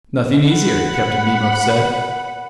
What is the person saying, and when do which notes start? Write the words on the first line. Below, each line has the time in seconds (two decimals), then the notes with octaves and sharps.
"Nothing easier," Captain Nemo said.
0.49 F#5 B5